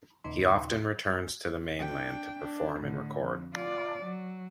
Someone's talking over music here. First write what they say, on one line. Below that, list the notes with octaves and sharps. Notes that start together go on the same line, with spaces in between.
He often returns to the mainland to perform and record.
D#2 A#2 C#3 D#4 C6
D4 G5
D4
A2 D3
F2
F4 D5
F#3